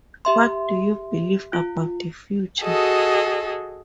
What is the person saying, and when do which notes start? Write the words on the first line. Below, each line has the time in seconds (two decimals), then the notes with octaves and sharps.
What Do You Believe About The Future?
0.25 G4 E5 C6
1.53 F4
2.61 F#4 G#4 A4 D#5